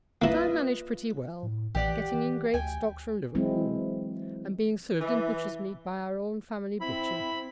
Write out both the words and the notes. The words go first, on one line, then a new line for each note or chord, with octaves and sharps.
But I manage pretty well, getting in great stocks from Liverpool, and being served in butcher's meat by our own family butcher.
A#3 E4 F4 B4 D#5
A2
A#1 E3 G4 D5 F#5
E3
D2 G5 G#5
E3 F#3 G#3 C4 E4
E3
C4 E4 B5